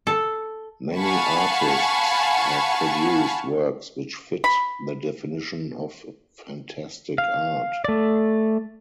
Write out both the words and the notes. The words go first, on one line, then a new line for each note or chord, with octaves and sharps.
Many artists have produced works which fit the definition of fantastic art.
A4
F5 F#5 G#5 A5 B5 C#6
B5
F5
A3 D5